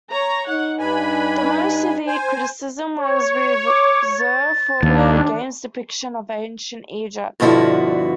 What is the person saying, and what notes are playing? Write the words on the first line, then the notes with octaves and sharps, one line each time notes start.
The most severe criticism was reserved for the game's depiction of Ancient Egypt.
C#5 A#5
D#4 F#5
G2 D4 B4 G#5 B5
C5 G#5
C#5
D6
A6
D#2 D4
G2 B2 D3 F3 E4 F#4